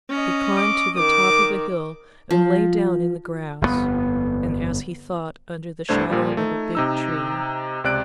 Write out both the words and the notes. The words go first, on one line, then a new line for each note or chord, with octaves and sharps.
He climbed to the top of a hill and lay down in the grass, and as he thought under the shadow of a big tree.
C#4 D#5
D6
D#3 D6
F3
G1 F2 A2 B3
C2 G2 A3 D4 C5 G#6
A#2 F3 G3
A3 D#4
C3 D#4 E6
C#2 C3 D5 F#6 D7